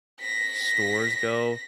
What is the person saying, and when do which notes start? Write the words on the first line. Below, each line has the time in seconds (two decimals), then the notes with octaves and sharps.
stores go,
0.20 A#6 B6